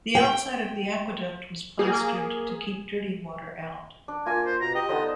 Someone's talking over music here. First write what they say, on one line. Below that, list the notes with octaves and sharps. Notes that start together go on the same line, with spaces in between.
The outside of the aqueduct was plastered to keep dirty water out.
G5
A#3 G#4
D4
A#3 F4 G#5
C5
B2 A#5
G4 D#5
D3 B3 D#4 C5